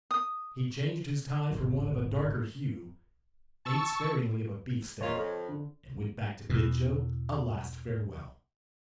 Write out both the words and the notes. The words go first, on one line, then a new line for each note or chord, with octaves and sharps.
He changed his tie for one of a darker hue, ate sparingly of a beefsteak, and went back to bid Joe a last farewell.
D#6
D1 G#1 F#3
A5 C#6 E6
A#2 F4 C#5 D#5 C#6
F2
D3
E2 B2